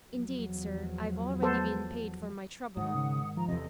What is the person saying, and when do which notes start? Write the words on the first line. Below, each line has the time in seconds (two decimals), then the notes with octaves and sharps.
"Indeed, sir, I've already been paid for my trouble."
0.12 E2 F3 F#3
1.42 B3 A4 C5
2.77 G#2 D#3 F#5 D#6
2.95 C#3
3.37 F3 A#5
3.48 E2 C3 A4 D#5